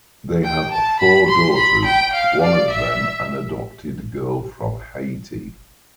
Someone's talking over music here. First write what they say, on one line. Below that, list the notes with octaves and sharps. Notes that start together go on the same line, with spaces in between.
They have four daughters, one of them an adopted girl from Haiti.
G5
A5
B5
C6
B5
G5
F5
D5
E5